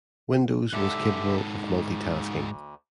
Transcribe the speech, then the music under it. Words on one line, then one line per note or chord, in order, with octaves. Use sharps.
Windows was capable of multitasking.
G#2 D3 G4 A4 E5
D2